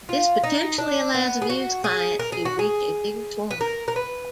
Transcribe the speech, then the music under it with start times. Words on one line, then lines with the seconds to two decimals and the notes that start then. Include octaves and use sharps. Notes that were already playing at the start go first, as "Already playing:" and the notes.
This potentially allows the Vuze client to reach a bigger swarm.
0.09 F4
0.43 D#4
0.78 D4
1.14 B3
1.42 G#4
1.50 F#4
1.84 G#4
2.19 A#4
2.32 G#4
2.45 F#4
2.59 G#4
3.51 B4
3.61 A#4
3.88 A#4
3.96 B4